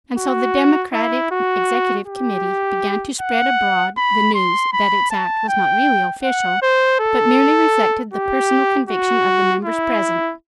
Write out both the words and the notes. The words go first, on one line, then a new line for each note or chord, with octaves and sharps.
And so the Democratic Executive Committee began to spread abroad the news that its act was not really official, but merely reflected the "personal conviction" of the members present.
F#4
E4
F#4
G4
F#5
B5
C6
B5
A5
G5
F#5
C5
A4
G4
F#4
E4